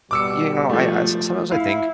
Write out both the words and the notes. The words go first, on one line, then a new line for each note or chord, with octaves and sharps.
You know, I I s sometimes I think
B2 G3 D6 E6 C#7
F3 A3
E4 F5